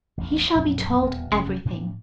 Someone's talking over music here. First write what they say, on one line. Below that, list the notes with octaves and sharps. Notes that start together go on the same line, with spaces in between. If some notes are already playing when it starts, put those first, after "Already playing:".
"He shall be told everything."
A1 E2
A#1 F#2 B2
D#1 E2 B2 B3
F1 G2 C#4
A2 D4